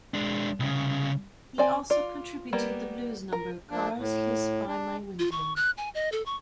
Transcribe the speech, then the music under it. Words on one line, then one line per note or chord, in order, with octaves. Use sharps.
He also contributed the blues number "Cars Hiss By My Window".
G#3 D4
C2 C#3
C4 D5 G#5
F4 D5
G3 A#3 B3
A#4
F3 A#3 D4
A2
D4
F4
C#6
F#6
G#5
D#5
A4
C#6